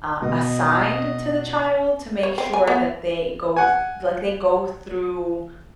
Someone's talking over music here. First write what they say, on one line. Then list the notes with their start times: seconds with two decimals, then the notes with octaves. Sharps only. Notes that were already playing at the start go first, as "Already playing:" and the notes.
uh, assigned to the child to make sure that they go th like, they go through,
0.22 B2 D#5
2.23 C#5
2.38 C4
2.53 G#5
2.67 B3
3.56 F#5 G#5